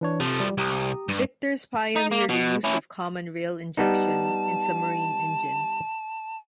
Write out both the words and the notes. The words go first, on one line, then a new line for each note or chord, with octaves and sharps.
Vickers pioneered the use of common rail injection in submarine engines.
E3 D4 C#5
C3 F3 A3
G3 G4
C2 G4 A#5 D#6
G2
D#4
A#3
B2
C#4 E4
G3 B3 D#4 A5